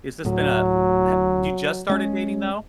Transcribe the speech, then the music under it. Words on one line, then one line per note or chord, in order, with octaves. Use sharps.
Is this been a ha you just started dating, though?
D1 A2 F#3
G#3 C#4